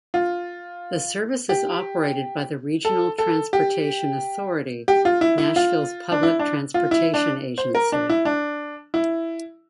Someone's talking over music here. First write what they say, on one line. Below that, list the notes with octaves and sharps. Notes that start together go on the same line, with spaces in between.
The service is operated by the Regional Transportation Authority, Nashville's public transportation agency.
F4
G4
A4
A4
G4
G4
F4
E4
E4
F4
D4
E4
D4
F4
E4
D4
C5
A#4
D4
E4
D4
E4